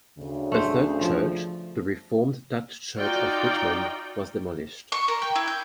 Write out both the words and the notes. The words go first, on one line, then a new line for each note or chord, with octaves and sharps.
A third church, the Reformed Dutch Church of Richmond, was demolished.
D2 C#3
A3 C5
F3
D#4 F4 F#4 D5 G5
C#6
A#4
G5
E4
G6